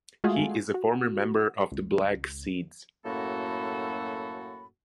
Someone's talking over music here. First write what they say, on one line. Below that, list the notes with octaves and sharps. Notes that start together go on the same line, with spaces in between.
He is a former member of The Black Seeds.
G#3 A3 F4 F#4 G#4
F#4
C#2
F#2 A2 A#3 F#4 A4 B5